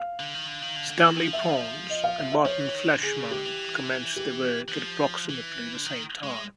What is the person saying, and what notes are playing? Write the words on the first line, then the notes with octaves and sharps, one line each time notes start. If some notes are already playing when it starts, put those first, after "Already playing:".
Stanley Pons and Martin Fleischmann commenced their work at approximately the same time.
Already playing: F5
D3
D#3
D3
D#3
D3
D3
D#3
F3
E5
D#5
F5
E5
E5
F3 C#5
E3
D#3
D3
D3 G#4
C#3
D3 G4
E3
G4
E3
F3
E3
D3
D#3
G#3